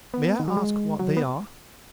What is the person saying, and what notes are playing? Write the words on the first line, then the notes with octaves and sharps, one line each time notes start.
May I ask what they are?
B3
D#3
F#3
G#3
F#3
B3